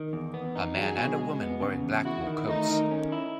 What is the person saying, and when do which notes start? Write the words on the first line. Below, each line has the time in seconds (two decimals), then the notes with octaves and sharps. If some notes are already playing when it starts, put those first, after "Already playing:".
A man and a woman wearing black wool coats.
Already playing: D#3
0.13 E2
0.34 B3
0.55 D#4
0.77 F#3 G#4
0.98 B2
1.19 G#3
1.41 B3
1.62 C#3
1.83 E2
2.05 E4 F#4
2.27 D#3
2.48 A3 D#4
2.70 D#3
2.91 C#4
3.12 E4